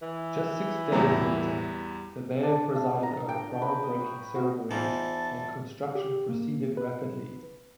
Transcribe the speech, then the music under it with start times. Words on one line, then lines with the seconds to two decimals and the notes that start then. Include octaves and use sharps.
Just six days later, the Mayor presided over groundbreaking ceremonies and construction proceeded rapidly.
0.02 E3
0.92 E2 A2 F#3 G3 B3
2.43 D4
2.75 F5
3.03 A#5
3.29 G5
3.62 B4
3.83 D#6
4.01 C#6
4.35 F#4
4.71 E2 E3 D#4 F4 C5 A5
5.95 G4
6.29 A#3
6.77 B4